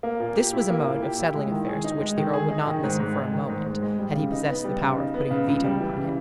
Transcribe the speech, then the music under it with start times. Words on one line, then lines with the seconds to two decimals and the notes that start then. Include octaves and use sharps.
This was a mode of settling affairs to which the Earl would not listen for a moment, had he possessed the power of putting a veto upon it.
0.03 A#3
0.20 A#2
0.36 G4
0.53 E4
0.70 A#3
0.86 A#2
1.02 G4
1.19 E4
1.35 G#3
1.51 D#3
1.68 G#4
1.84 D#4
2.01 G#3
2.17 D#3
2.34 G#4
2.50 D#4
2.67 D#3
2.84 G#2
3.00 G#2
3.17 G#3
3.33 D#3
3.49 G#2
3.66 G#2
3.82 G#3
3.99 G3
4.15 C#3
4.32 D#4
4.48 B3
4.64 G3
4.81 C#3
4.98 D#4
5.14 B3
5.31 C#3
5.47 C#2
5.64 G3
5.80 E3
5.97 C#3